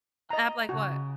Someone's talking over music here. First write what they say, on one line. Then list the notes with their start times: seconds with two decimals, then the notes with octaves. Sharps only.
App like what?
0.30 D#5 A#5
0.69 C#3 F#4